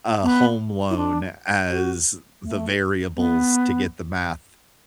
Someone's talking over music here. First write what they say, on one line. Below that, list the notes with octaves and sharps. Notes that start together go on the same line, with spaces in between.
a home loan as the variables to get the math
B3
E4
D4
F#4
A3
B3